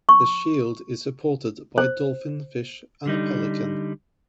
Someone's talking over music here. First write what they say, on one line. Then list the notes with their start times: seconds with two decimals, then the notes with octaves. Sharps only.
The shield is supported by a dolphin fish and a pelican.
0.09 C#6
1.78 C5
3.06 D3 G3 D#4